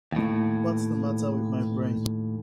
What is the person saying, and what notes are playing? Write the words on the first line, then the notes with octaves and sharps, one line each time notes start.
What's the matter with my brain?
D#2 A2